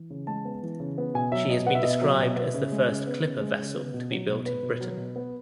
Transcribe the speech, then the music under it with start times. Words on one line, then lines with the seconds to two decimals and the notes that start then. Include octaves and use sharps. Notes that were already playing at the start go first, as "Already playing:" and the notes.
She has been described as the first clipper vessel to be built in Britain.
Already playing: E3
0.10 C#3
0.27 G#3 A5
0.45 B3
0.63 E3
0.80 C#3
0.98 B3
1.14 B2 G#5
1.32 F#3 E5
1.49 B2 D#5
1.66 B3 F#5
1.75 E5
1.83 B2 D#5
1.90 E5
2.01 F#3
2.19 B2
2.36 B3
2.54 C#3
2.72 G#3
2.88 C#3
3.07 B3
3.23 C#3
3.41 G#3
3.59 C#3
3.76 B3
3.94 B2
4.11 F#3
4.28 B2
4.46 B3 B4
4.63 B2
4.81 F#3
4.97 B2
5.16 B3